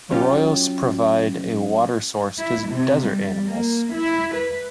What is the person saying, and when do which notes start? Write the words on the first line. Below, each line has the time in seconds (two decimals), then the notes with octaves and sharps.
Arroyos provide a water source to desert animals.
0.11 F#3 C#4 F4 G4
2.39 E4
2.71 C3
3.07 G3
3.49 A#3
3.95 E4
4.35 B4